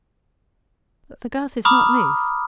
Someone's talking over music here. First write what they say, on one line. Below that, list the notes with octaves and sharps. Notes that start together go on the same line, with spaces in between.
"But the girth is not loose."
A#5 B5 D6 D#6 F6